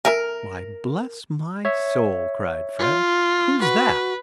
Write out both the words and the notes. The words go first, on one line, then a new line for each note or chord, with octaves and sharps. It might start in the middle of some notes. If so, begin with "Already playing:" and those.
"Why bless my soul!" cried Fred, "who's that?"
A4 A#4 E5 G#5
C#5 E5
F4
F#4 B4